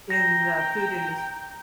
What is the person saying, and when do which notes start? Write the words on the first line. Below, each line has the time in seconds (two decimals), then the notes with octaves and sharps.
in the food indust
0.10 G5 A#5 A#6